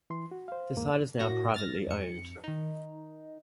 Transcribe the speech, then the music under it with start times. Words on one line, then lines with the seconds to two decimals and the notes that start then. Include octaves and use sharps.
The site is now privately owned.
0.10 E3 C6
0.31 F#4
0.48 C5 F5
0.76 E2 G#2 A#3
1.19 A2 A#3 F#4 A#6
1.54 F6 A6 A#6
1.87 F2 C#7
2.44 D#3 D#4